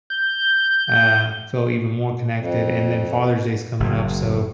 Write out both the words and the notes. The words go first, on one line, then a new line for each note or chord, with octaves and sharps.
uh, feel even more connected, and then Father's Day is coming up, so,
G6
F2
F#1